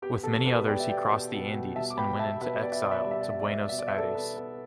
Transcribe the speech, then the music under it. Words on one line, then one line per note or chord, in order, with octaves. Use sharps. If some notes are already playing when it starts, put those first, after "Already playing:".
With many others he crossed the Andes and went into exile to Buenos Aires.
B3 G4
B2 A4
B2 G4 B4
B3 D5 G5
E5
B2 D5 G5
B2
B2
B2
G3 E5 A5
D6
B3 G5 B5
B3 E5 A5
B2 B4 E5
B2 D5
E5
B2 D5
E5
G3 D5
E5
D5
G3 E5
D5
B3 E5
D5
B2 E5
D5
E5
B3 A4 D5
B3
B3